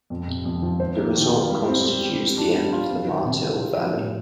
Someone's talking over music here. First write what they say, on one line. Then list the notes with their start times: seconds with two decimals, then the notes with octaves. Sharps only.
The resort constitutes the end of the Martil Valley.
0.10 F2
0.28 C3
0.45 F2
0.62 F3
0.80 C5
0.98 A#3
1.15 D#3
1.33 F4
1.50 G3
1.68 C4
1.85 G3
2.04 G4
2.20 G3
2.38 D4
2.56 G3
2.72 F4
2.90 C4
3.08 D#3
3.25 C3
3.43 G3
3.60 F4
3.77 F3
3.96 A2